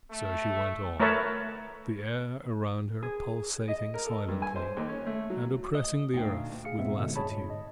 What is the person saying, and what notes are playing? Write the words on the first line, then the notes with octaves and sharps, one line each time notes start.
So she went on, the air around her pulsating silently, and oppressing the earth with lassitude.
A3
A3 A#4 B4 C#5 E5 A5
G#4
D#5
A#4
A4
G2
G#5
C5
D#2
C#4
A3
F#3
D#5
D2 A#2 D#4 F5 G5
G#4 F5 C#7
D#2 A#2 G#3 B3 C4 E5
G#2 B2 D3 G#3
G2 G#4 C#5 A5 B5
G#2
D#5